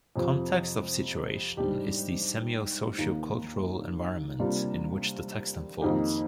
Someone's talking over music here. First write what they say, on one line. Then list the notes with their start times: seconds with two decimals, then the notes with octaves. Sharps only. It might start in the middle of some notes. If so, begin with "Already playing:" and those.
Context of situation is the semio-socio-cultural environment in which the text unfolds.
0.16 F2 C3 F3
1.57 G#2 G3 D4 G4
2.98 D#2 D#3 A#3
4.39 C3 G3 A#3 D4 F4
5.81 F2 D#3 A#3 D#4 G4